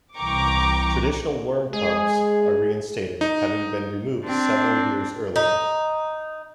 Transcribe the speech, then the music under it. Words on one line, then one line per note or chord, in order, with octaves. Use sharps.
Traditional worm tubs are reinstated, having been removed several years earlier.
C2 E3 G5 A#5 C#6 D6
G#3 G#4
D#4
C4 D4
D#4